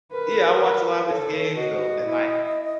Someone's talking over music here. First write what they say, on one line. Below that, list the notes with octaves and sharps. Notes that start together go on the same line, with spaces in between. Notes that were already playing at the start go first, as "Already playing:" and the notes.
Yeah, I watched a lot of his games though, and, like,
A#4 B4
B4
A4 C#5
F#4 D#5
E4